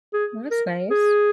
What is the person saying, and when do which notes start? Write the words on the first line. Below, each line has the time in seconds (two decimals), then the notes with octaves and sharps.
Well, that's nice.
0.13 G#4
0.51 A#4
0.90 G#4